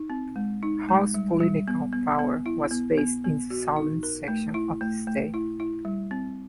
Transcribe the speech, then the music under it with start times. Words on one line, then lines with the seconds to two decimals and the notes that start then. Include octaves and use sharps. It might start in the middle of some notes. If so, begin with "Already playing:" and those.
Haugh's political power was based in the southern section of the state.
Already playing: D#4
0.10 C4
0.36 G#3
0.63 D#4
0.89 G#3
1.14 G3
1.40 G3
1.68 B3
1.92 B3
2.19 B3
2.46 E4
2.71 B3
2.98 B3
3.24 B3
3.50 F#4
3.76 D#4
4.03 A#4
4.28 A3
4.54 E4
4.81 A3
5.07 A3
5.34 E4
5.60 E4
5.85 G3
6.11 C4